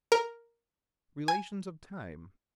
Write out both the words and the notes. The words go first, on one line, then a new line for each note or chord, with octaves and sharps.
Relations of Time.
A#4
G#5